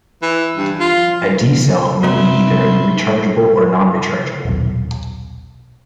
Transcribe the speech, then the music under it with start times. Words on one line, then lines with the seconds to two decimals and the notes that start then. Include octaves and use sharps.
A D cell may be either rechargeable or non-rechargeable.
0.22 E3
0.56 G2
0.80 F4
2.03 C3 G#3 B3 B4 E5 A#5 C6
4.45 D#1 B1